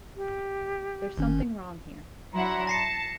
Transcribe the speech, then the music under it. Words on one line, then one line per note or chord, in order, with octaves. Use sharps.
There's something wrong here.
G4
G1 D#3 C#4
F#3 D4 E4 F#5 A#5 C6
A5 A#6 C7 C#7